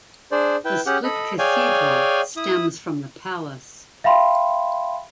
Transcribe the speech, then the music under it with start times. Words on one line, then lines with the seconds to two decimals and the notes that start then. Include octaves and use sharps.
The Split Cathedral stems from the palace.
0.32 D4 G#4 C5 D5
0.65 E4 B4 G5
0.86 C#4 G4 G#4 F#5
1.04 A4 D#5 B5
1.39 G#4 C#5 D5 F5 G5 G#5
2.37 E4 D#6
4.04 E5 F5 G5 B5 C6